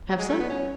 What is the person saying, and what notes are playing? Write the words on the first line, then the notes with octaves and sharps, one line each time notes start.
Have some?'
F#3
G#3
A3
B3
C#4